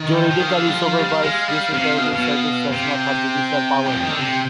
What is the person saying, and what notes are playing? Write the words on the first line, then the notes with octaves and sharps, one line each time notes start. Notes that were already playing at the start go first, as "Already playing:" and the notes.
Juridically supervised, this intelligence service does not have judicial power.
Already playing: D#3
G5
F3
D#3
D3 F5
G3
F3
G3
G#3
G3
C3
B2
B2
C3 G5
G3
F3
D#3
D3
C3 G5